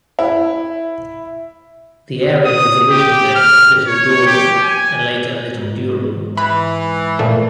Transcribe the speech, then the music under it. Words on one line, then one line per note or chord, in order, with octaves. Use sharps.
The area was originally known as Little Dooral and later Little Dural.
E4
D#6
G4
F6
C#5
G4
G#5
G#2
E3 B5 F#6
A#2 F3 A3